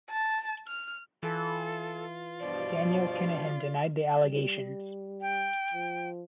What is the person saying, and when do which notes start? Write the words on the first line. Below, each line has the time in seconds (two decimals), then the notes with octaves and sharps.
Daniel Kinahan denied the allegations.
0.10 A5
0.67 F6
1.23 E3 F4 A4
2.40 G2 B2 F3 D5
4.24 G3
5.21 G5
5.73 F3